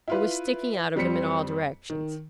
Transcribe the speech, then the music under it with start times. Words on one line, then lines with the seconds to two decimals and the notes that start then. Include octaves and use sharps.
It was sticking out of him in all directions.
0.08 E4 F4 B4
0.96 F2 G3 C4 B6 C#7
1.90 D#3